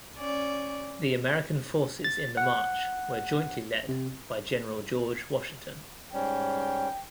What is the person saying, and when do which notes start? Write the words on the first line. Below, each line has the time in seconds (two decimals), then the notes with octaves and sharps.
The American forces in the march were jointly led by General George Washington.
0.17 C#4 D5
2.04 A6
2.37 F#5
3.89 C3
6.13 G#2 G3 C#4 G5